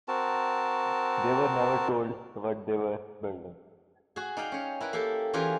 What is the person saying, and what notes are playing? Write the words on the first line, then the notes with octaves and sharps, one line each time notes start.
They were never told what they were building.
C4 F#4 A#4 A5
F#4 G#4
D#4 D5 F5 G5
C#4 C#5
E4 A#4 B4
A#3 G4 A4 A5
E3 C#4 F4 G4 G#4 A#4